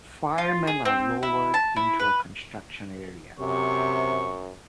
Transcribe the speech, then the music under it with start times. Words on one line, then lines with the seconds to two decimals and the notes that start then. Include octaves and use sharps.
Firemen are lowered into a construction area.
0.38 F4
0.67 G#4
0.85 C4
1.23 E4
1.54 A5
1.76 E4
1.99 B4
3.39 F#2 C3 C#6